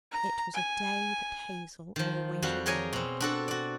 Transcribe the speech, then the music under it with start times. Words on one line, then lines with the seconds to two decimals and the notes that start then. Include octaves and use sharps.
It was a day that Hazel always remembered.
0.12 A#5
0.54 G#5
1.96 D#3 F3
2.42 F2 G3 F#4 F5
2.66 G4 G#4 A#4 C#5 G#5
2.93 B2 C4
3.20 D4 F#4 A4
3.48 F#4 D5